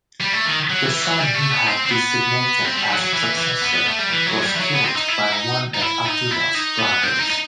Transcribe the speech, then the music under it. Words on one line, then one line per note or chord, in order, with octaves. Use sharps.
The son he had designated as successor was killed by one of Abdullah's brothers.
G3
A3
D#3
F#3
E3
F#3
G3
A3
B3
C4
C4
B3
C4
G3
F#3
F#3
E3
E3
B3
B3
A3
G3
E3
F#3
G3
E3
F#3
B3
C4
D#4
E4
D#4
D#4
E4
D#4
E4
D#4
B3
C4
D#4
D#4